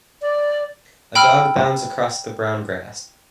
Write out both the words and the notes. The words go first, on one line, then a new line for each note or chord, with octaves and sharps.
A dog bounds across the brown grass.
D5
G5 B5 E6 F6